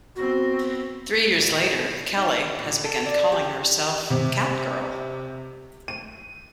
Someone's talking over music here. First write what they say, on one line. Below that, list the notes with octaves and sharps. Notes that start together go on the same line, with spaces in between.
Three years later, Kelley has begun calling herself "Catgirl".
B3 C4 F#4
A#2
B2
D#4
A#2
A4
D5
G4
C3
D#7